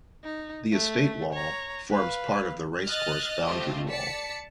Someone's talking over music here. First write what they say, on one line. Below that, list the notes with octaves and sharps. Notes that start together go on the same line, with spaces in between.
The estate wall forms part of the racecourse boundary wall.
D#4
A3
C#5 A#5
B4 F5
D#5 F6 F#6 A6
A3 C4 F4 G4 D#5
D5 A5 B6 C#7